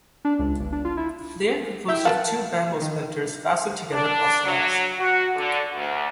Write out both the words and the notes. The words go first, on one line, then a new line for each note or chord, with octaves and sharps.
They are composed of two bamboo splinters fastened together crosswise.
D4
C#2
G1
D4
F4
E4
E4 E5 G5
A#4 B4 F5 F#5 A5
D#3
D4
F#3
F#4
D3
D2